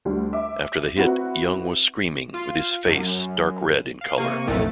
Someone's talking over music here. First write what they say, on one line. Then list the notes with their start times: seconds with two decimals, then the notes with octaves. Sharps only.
After the hit, Young was screaming with his face dark red in color.
0.05 D2 G3
0.33 E5 D6
0.96 C4 E4 F#4 B4
2.34 F4
2.87 F#2
4.01 F5
4.17 C3 A#3 C#6 D#7
4.47 B1 F2 A2 A3 A6 C#7